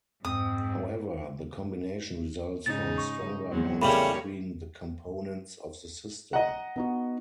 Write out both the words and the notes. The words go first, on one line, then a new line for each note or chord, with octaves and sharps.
However, the combination results from stronger bonds between the components of the system.
F2 G#2 C4 D#6
G#2 C#3 D#4 A6
C#6
E2 F#3 C4
A2 C#3 G3 G4 A#4 C#5 B5
D#5 F#5 A#5
B3 D#4 F#4